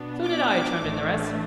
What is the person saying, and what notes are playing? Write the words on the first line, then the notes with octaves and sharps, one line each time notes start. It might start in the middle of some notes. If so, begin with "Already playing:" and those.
"So did I," chimed in the rest.
Already playing: B2 B3 D4
D6
A1 A2 E3 A3 D4